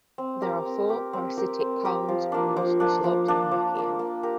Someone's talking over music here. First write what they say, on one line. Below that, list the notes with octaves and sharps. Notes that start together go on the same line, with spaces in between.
There are four parasitic cones on the western slopes of Makian.
C4
G4 A#4
C4
G4 A#4
C4
G4 A#4
C4
G4 A#4
F3
A#3 D4
F3
A#3 D4
F3
A#3 D4
F3
A#3 D4
A#3
G4 A#4